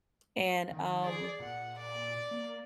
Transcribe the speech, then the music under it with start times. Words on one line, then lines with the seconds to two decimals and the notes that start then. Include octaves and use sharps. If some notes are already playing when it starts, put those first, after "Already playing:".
And, um,
0.71 D#3
1.03 G#4 D5
1.40 A#2 F#5
1.78 D5
2.31 A#3